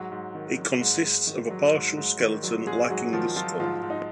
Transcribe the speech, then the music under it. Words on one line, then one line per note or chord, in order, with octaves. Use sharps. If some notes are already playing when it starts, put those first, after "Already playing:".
It consists of a partial skeleton lacking the skull.
Already playing: G#2 F#3 F#4
G#2
D#3
F#3
G#2
G#2
D#3
F#3
G#2
G#2
D#3
F#3
G#2 G#3 G#4
G#2 F#3 F#4
D#3 F3 F4
F3 F#3 F4
G#2 F3 F4
G#2
D#4